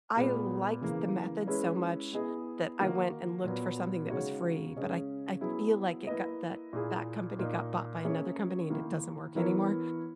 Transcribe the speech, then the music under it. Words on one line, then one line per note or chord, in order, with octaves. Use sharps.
I liked the method so much that I went and looked for something that was free, but I I feel like it got that that company got bought by another company, and it doesn't work anymore
A#2 G#3 B3
C#3 E3 A#3
G#3 C#4 E4 B4
B3 E4 G#4 D#5
D#3 A#3 D#4 F#4
A#2 F#3 B3
C#3 G#3 D#4 F#4 C#5
C#3 G#3 C#4 G#4 D#5
F#3 B3 E4 G#4
A#3 E4 B4 D#5
A#2 A#3 E4 G#4
A#2 A#3 D#4
A#3 C#4 G#4 C#5 E5
D#3 A#3 E4
E3 B3 E4 A#4 C#5